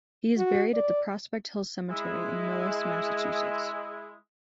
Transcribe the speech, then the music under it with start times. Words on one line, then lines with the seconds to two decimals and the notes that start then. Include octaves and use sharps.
He is buried at the Prospect Hill Cemetery in Millis, Massachusetts.
0.37 F#4
0.74 D5
1.89 G#3 E4